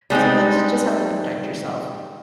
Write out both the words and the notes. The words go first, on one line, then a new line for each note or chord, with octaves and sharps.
"Sometimes you just have to protect yourself."
G3 G#3 C4 D#4